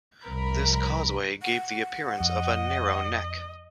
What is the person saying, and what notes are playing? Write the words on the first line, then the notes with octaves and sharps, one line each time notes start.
This causeway gave the appearance of a "narrow neck".
C2 F2 A#4 B5
F#5
F2 D#5